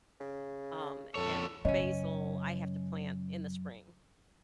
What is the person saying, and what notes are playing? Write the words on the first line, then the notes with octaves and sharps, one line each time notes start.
um, and basil, I have to plant in the spring,
C#3
F2 A4 C#5
F#2 C#3 C#4 C#5 D#5